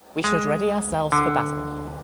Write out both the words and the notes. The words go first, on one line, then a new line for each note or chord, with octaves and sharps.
We should ready ourselves for battle.
G#3
D3